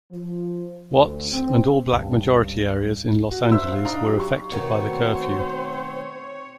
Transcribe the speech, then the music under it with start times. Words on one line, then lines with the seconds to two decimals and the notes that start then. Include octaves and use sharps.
Watts and all black majority areas in Los Angeles were affected by the curfew.
0.12 F3
0.92 D2
1.32 C4
1.93 C#2 G2
3.31 F#4
3.52 C5 E5 E6
3.72 F5
3.85 D4 D#4 D5 F5 A#5
4.05 F#3 G4
4.20 C#6
4.52 B2 D#3 A3 C4 F#4 C5 C#5